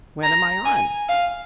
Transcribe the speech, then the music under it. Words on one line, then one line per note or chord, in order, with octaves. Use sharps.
"When am I on?"
A#5
G#5
F5